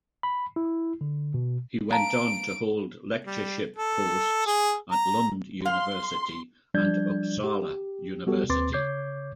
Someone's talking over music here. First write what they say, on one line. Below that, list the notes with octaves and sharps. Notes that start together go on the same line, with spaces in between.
He went on to hold lectureship posts at Lund University and Uppsala University.
B5
E4
D3
B2
F5 A5 A#5 D7
G3
A4
G#4
A#5
F5 C6
F3 G3 D4 D5 G6 G#6
G4
G3 B3 F#4 G4 A4
D#2 C4 B4 C6 D6 A6
C#3 C#5 D6 G6 G#6 C7